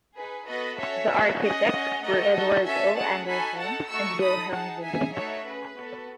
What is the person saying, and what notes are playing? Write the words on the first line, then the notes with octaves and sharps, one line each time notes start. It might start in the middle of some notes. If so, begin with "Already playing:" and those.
The architects were Edward O. Anderson and Wilhelm Zimmer.
D#4 G#4 B4
B3 F#4 A4 B4 D#5
C#4 F#4 A4 C#5 E5
B3 F#4 A4
C#4 G#4 D#5 F#5
C#4 G#4
A3 D#4 A4 D#5 F#5
D#4 F#4 A4
C#4 F#4 A4 E5 G#5
A3 C#4 G#4 F#5 A5
D#4 F#4 A4 G#5 B5
D#4 A4 F#5 A5
A3 D#4 F#4 A4 C#6 E6
D#4 A4 B5 D#6
D#4 G#4 F#5 A5
D#4 G#4 E5 G#5
A3 D#4 F#4 A4 C#5 E5
C#4 G#4 B4
B3 F#4 A4